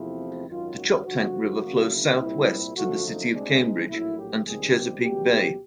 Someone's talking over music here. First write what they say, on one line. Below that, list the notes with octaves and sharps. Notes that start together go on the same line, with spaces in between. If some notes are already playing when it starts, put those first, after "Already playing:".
The Choptank River flows southwest to the city of Cambridge and to Chesapeake Bay.
Already playing: E2 C3 F3 A3 C4 E4
G#1 F#2 D#3 F#3 F4
F#4
G2 D3 F3 F#4
D2 C#3 F#3 A#3
E4
C2 A#2 G3 C4 E4
F#2 D3 F3 A3 F#4
D#4
C2 B2 G#3 C4 D4
D#4
A#1 A2 F#3 A#3 E4
G4
C#2 C3 D#3 G3 C4 G#4
G4
C#2 B2 F#3 G4